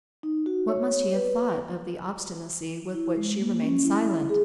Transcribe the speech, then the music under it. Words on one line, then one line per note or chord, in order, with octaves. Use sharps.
What must he have thought of the obstinacy with which she remained silent?
D#4
F#4
C#5
C#5
B4
E4
G#3
A#3
C#4
E4
G#4